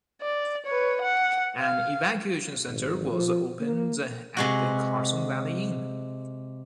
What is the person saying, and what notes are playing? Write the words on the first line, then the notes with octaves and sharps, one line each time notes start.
An evacuation center was opened at the Carson Valley Inn.
D5
B4 C#5
F#5
F5
G#1
F3
A#3
C3 G#3 F#4